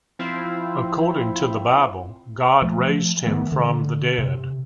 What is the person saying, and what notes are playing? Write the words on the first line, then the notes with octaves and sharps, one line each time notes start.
According to the Bible, God raised him from the dead.
F3 C4 E4 F4
F3 A3
D#3 E3 A3 B3
D3
C3